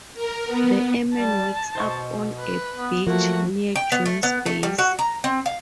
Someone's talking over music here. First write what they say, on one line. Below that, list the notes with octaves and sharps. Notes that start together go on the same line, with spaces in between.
The airman wakes up on a beach near June's base.
A#4
B3
G3 A5
B2 C5 D#5 C#6
B4
B3
F3 F#3 A3 A#3 F#4
G5
B3
A3
B3
A3
G3
F#4
A#5
C4
F5